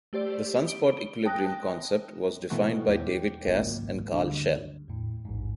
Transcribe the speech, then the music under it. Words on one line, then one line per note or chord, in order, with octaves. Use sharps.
The sunspot equilibrium concept was defined by David Cass and Karl Shell.
A3 G4 C5 D5
D7 G7
G5 A5 D#6 F#6 A#6
B2 E3 A3 C4 D#4 F#4
E2 G4
G#1 C#2 F#2 A#2
D2 G2
E2 A2
A1 E2 G#2